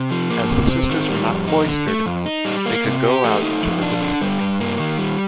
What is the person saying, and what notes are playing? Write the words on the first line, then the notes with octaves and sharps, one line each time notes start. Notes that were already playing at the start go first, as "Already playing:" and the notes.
As the sisters were not cloistered, they could go out to visit the sick.
Already playing: C3
F3
A#3
C3
C4
D#3
G3
F2
D#4
D3
A3
F2
D#4
G3
A#3
C3
G4
A3
D#4
F3
D4
D3
G3
G2
A#3
D#3
G3